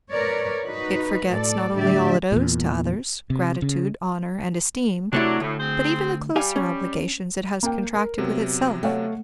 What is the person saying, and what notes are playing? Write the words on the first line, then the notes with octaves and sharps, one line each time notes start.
It forgets not only all it owes to others,--gratitude, honor, and esteem,--but even the closer obligations it has contracted with itself.
A#4 B4 C#5 D5
D#4 F#4 B4
A2 A4 D5
A2 D3 F#3 G4 D5 E5
E2 A#2
C3
C#3
C3 F#3 A3 D4 E4
D2 A2
C4 G#4 C5
G3 G4 F5 G#5
C#4
A#3 G5
A#4
C3 F#3 B3
A3 C#5 F5 F#5